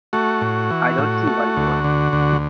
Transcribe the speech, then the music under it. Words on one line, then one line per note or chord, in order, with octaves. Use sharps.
I don't see why not.
A3 F#4
A2
E3
A2
A3
D2
D3
D2